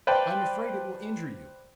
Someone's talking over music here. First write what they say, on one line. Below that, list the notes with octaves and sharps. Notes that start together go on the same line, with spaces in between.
"I am afraid it will injure you."
B4 C5 D5 F5 G5 A5